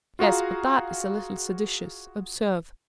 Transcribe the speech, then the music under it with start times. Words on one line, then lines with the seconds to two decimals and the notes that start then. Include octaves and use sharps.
"Yes; but that is a little seditious, observe."
0.19 F4 F#4 G#4 F5 A#5